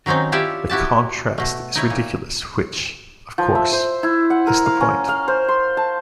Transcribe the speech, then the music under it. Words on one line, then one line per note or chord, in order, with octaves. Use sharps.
The contrast is ridiculous which, of course, is the point.
D#3 F#3 C4 C#4 D#4
E4 F4 G4 C#5 D5 E5
E4 F#4 G4 A5
B2 A3
D#4 E4 C#5
A#2
F3
E5
C5
E4
F#5
A#4
F5
C#4
F5
C5
C6
A5